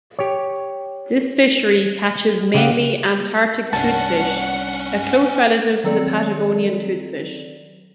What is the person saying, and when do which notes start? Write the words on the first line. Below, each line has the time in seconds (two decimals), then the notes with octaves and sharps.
This fishery catches mainly Antarctic toothfish, a close relative to the Patagonian toothfish.
0.19 G4 C#5
2.54 C#3 G4 F5 F#5
3.73 C2 G2 C#4 D4 F#5 A5
5.84 D#3 F#3 C4 A4 D5